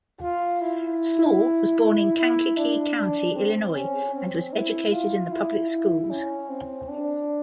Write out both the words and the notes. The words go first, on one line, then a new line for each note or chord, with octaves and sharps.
Small was born in Kankakee County, Illinois, and was educated in the public schools.
F4
E4
E4
D4
D4
C4
C#4
C4
E4
F4
E4
E4
C#4
C4
D4